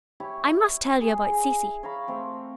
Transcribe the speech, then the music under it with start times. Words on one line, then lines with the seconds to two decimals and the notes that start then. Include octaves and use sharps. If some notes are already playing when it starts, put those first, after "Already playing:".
I must tell you about Cecy.
0.20 E4 G4 C#5
1.01 G#4
1.29 G#4
1.83 C#5 F5 A#5 B5
2.07 A3 C4 A#4